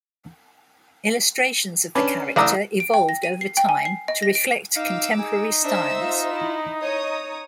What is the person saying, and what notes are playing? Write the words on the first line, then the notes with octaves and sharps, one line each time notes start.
Illustrations of the character evolved over time to reflect contemporary styles.
C#4 D4 B4
A1 D5 A#5 D#6 E6
D7
G5
A#6
D#7
C7
G5
G#5
C7
D#5
A#6
D7
D#4 F5 D6 E6
D#4 G#4
D4 C5 E5 E6
F4
E4
C#5 D#5 A#5 D#6